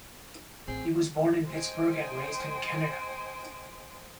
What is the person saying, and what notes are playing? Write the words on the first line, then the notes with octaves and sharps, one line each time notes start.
He was born in Pittsburgh and raised in Canada.
A1 C4 G#4
C5 D#5 G5 G#5